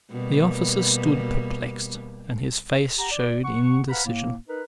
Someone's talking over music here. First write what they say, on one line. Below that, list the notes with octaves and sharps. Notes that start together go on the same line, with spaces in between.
The officer stood perplexed and his face showed indecision.
B2 G3 A#3
G4 F#5 A#5
D5
F#5 C#6
B4 F5 F#5 A#5 B5
A2 A#3
D#4 A#4 B4